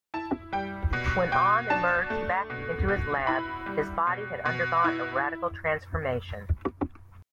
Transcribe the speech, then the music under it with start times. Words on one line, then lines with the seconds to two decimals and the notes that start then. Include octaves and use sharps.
When Ohnn emerged back into his lab, his body had undergone a radical transformation.
0.14 E4 A5
0.53 G3 G5
0.93 B2
1.32 B2 G5
1.70 D4 A5
2.10 A3
2.50 B2
2.88 B2
3.27 E4 B5
3.66 G3
4.07 B2
4.45 B2
4.84 E4